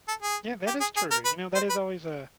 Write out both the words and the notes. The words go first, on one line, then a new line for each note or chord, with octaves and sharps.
Yeah, that is true, you know, that is always, uh,
A4
G#4
G4
G#4
G#4
A#4
B4
C5
B4